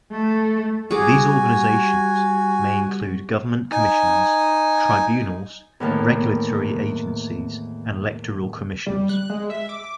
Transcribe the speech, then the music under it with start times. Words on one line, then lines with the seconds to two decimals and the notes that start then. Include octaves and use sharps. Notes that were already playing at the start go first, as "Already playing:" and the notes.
These organizations may include government commissions, tribunals, regulatory agencies and electoral commissions.
0.12 A3
0.91 G3 F#4 G#4 G#5 D6
3.71 D#4 G#5
5.80 E2 A2 D#3 A#3
8.86 G3
9.09 F#6
9.30 G#3
9.50 E5
9.69 D6